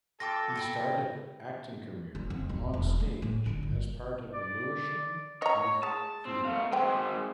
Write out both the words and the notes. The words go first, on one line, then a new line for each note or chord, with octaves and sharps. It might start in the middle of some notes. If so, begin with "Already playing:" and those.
He started acting career on stage as part of Lewisham youth theatre.
F4 A4 G5 D6 A#6
G5 G#5 B5
D2
F2
D1
E1
A3
A2
D3
G1
D5
C#5 D#5 A#5
G#3 A5
C4
A3 F5
G#3 C4 C5 G5